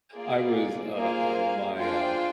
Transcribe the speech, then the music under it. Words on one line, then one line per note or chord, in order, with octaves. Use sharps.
I was, uh, uh, my uh,
A#3 F4 G#4 D5
A#3 F4 G#4 C5 F5
D4 F4 G#4 C5 G5